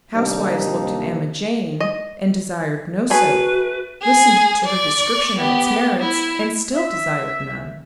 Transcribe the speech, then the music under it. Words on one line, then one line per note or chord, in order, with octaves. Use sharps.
Housewives looked at Emma Jane and desired no soap; listened to her description of its merits, and still desired none.
D#2 C3 G3 A#3 D4 D#4
D#5
A3 F#4 G#4 B4 B5
G#4
D5 C#6
B3 G4
E4
E5